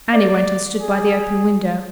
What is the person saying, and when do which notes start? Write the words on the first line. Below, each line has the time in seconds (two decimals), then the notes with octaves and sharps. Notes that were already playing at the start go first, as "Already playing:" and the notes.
Annie went and stood by the open window.
0.14 D5
0.80 G#4